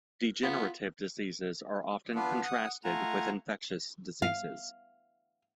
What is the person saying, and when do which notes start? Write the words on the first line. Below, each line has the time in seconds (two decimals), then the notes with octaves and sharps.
Degenerative diseases are often contrasted with infectious diseases.
0.43 B3 F4
2.15 B3 D4 F4 B4
2.44 F#5 D#6
2.84 A3 F4 F#5 G#5 A#5
4.22 F5